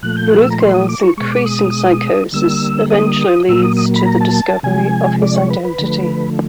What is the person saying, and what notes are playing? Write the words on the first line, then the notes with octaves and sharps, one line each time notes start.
Bluthgeld's increasing psychosis eventually leads to the discovery of his identity.
A#2 F3 A3 F#6
G6
F#6
E6
A#5
C6
D#6
D6
C#6
B2 G#3 C#6
D6
D#6
D3 G3 A#3 E6
D#6
A#2 F#3 A#3 E6
D#6
D#6
B5
A#5
A5
C3 F3 G#3 G#5
D5
C#5
B4
B4
D3 F3 A3